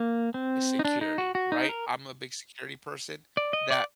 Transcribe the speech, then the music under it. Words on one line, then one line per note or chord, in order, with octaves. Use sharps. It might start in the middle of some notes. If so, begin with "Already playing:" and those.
is security, right, I'm a big security person that
Already playing: A#3
C4
D#4
D4
D#4
F#4
F#4
D#4
A#4
D5
D#5
D5